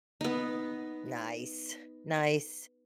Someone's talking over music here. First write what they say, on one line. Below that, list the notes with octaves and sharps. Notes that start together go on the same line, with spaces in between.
Nice. Nice.
B3 D#4